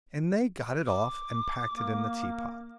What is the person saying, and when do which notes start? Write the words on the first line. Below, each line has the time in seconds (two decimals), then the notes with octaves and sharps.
And they got it off, and packed it in the teapot.
0.87 D6
1.71 A#3